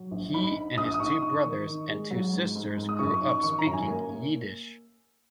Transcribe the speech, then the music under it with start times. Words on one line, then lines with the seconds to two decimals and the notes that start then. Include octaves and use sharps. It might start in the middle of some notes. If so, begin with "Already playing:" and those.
He and his two brothers and two sisters grew up speaking Yiddish.
Already playing: F#3
0.11 A#1
0.33 D#4 B5
0.56 D#4
0.78 A#1 D#6
0.94 D#6
1.00 D#4 C#6
1.22 D#4 C#6
1.45 D#3
1.67 D#4
1.89 G#3
2.11 F#3
2.33 G#2
2.55 G#2
2.78 G#2
2.89 D#6
2.99 F#2 C#6
3.14 C#6
3.21 D#4
3.29 C#6
3.43 D#3 C#6
3.59 A#5
3.66 F#2
3.73 G#5
3.88 A#3
4.10 A#3